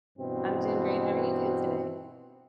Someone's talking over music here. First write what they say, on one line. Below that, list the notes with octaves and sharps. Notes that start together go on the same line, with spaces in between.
I'm doing great. How are you doing today?
G2 B2 E3 C4